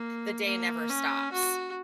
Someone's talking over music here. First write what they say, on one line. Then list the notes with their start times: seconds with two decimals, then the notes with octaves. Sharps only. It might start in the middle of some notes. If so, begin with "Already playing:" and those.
the day never stops.
Already playing: A#3
0.46 A#3
0.90 C#4
1.32 F#4